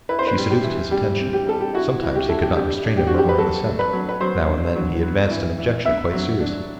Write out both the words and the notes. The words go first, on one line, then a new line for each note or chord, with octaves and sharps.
She seduced his attention; sometimes he could not restrain a murmur of assent; now and then he advanced an objection quite seriously.
E4 B4
C5
B4
G3
G4
E3
G3 G4
C4
G4
G3 A4
G4
E4 F#4
E3
G4
E4 A4
G4
D4 G4
D4
G4
D4 F#4
G4
B4
F#3 A4
A3
B4
F#3
B4
F#3 C5
D4
F#3
B3
E3
E3
B3 E5
F#3
D4